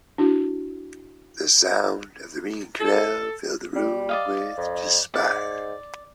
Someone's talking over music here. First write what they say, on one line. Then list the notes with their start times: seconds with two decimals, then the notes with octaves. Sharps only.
The sound of the ringing Knell filled the room with despair.
0.18 D4 E4 F#4
2.80 A4
3.76 G3
4.09 D5 D#5 F5
4.57 F2
5.14 G#2 D5